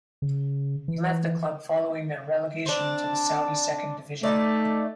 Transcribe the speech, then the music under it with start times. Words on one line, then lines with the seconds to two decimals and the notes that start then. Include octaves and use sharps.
He left the club following their relegation to the Saudi Second Division.
0.22 C#3
0.88 E3
2.66 C4 D4
4.23 A3 D#4 D5